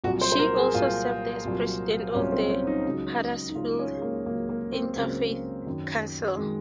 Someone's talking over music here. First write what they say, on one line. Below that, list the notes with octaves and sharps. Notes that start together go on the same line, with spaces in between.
She also served as president of the Huddersfield Interfaith Council.
C2 A#2 F#3 F#4
C5
C5
A#4
G#4
C2 A#2 F#3 F4
C2 A#2 F#3
C2 A#2 F#3 C#4
C4
C#4
D#4
C#2 C#3 F#3
D#4
C#2 C#3 F#3 F4
C#4
G#3
A#3
C#2 C#3 F#3 A#3
A#3
C4
C#2 C#3 F#3 A#3
F#2 D#3 F#3
D#3 F#3 G#3